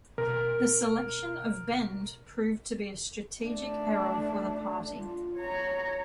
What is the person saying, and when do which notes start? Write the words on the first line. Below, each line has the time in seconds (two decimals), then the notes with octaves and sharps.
The selection of Bend proved to be a strategic error for the party.
0.18 B2 A#4
3.43 A3 D4
4.99 F4
5.36 C#5 A#5